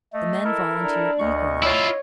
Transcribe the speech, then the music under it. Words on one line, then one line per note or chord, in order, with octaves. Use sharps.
The men volunteered eagerly.
A3 D#5
E4 A4 A#4
D4 A#5
D2 D#5 C#6
E4 F4 C#5